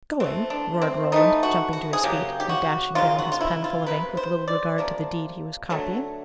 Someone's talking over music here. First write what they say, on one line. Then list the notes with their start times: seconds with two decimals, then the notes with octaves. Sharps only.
"Going!" roared Roland, jumping to his feet, and dashing down his pen full of ink, with little regard to the deed he was copying.
0.20 E3 A3 C4
0.50 D4
0.82 C4
1.12 E3 A3 D#4
1.43 F#4
1.73 F#4
1.93 G#4
2.04 C#3 F#3 A#3 G4
2.40 G4
2.49 F#4
2.95 C#3 F#3 A#3 F4
3.19 F#4
3.32 F4
3.41 E4
3.64 F4
3.86 C3 F3 A#3 B4
4.17 C5
4.48 D5
4.78 C3 F3 A#3
5.70 D3 F#3 A3